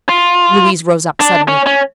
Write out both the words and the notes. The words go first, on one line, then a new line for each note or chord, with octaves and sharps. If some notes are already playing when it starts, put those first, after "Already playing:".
Louise rose up suddenly.
F4
D4
C#4
C#4